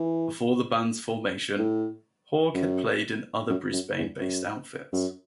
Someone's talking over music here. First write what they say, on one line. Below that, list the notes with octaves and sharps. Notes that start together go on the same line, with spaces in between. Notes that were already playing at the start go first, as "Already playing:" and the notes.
Before the band's formation, Haug had played in other Brisbane-based outfits.
Already playing: E3
A2
F#2
F#2
F#2
E2
F#2
F#2